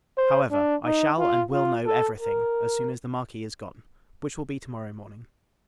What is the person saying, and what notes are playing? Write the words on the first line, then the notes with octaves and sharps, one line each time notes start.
However, I shall and will know every thing as soon as the Marquis is gone, which will be to-morrow morning.
C5
D4
D#4
F4
F4
A4
A#4